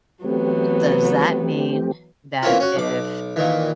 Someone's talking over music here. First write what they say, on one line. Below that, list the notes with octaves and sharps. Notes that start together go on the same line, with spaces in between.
Does that mean that if
E3 F#3 A3 B3 C4 G4
E3 A#3 C4 C#4 E4 F4
C#4 F#4
B1 D6
A#2 D#3 E3